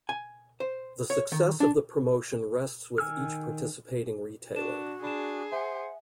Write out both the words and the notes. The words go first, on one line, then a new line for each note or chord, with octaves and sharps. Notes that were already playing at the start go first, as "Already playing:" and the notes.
The success of the promotion rests with each participating retailer.
G#5
C5
C#5
D#3
D4
D#3 G#5 E6 F6
D4 F#4 E7
D4 G#4 B5 E7
C5 E5 F#5 G#5